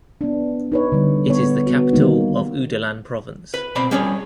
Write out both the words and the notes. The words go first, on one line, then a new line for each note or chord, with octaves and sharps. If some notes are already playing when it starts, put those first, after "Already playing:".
It is the capital of Oudalan Province.
B3 D4
D#4 B4 C#5
D3 G3
B3 C#5
B3 F#4
D#3 G3 A#3 D#4
B4
B2 C4 D5 B5
G3 C#4 G#4 C#5